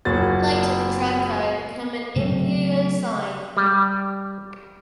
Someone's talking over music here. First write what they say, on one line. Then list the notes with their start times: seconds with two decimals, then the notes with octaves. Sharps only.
Later, the "draco" became an imperial ensign.
0.05 F#1 A#2 A#3 F#4 C#5 A6
2.16 C#3 F#3 A3 C4
3.57 G3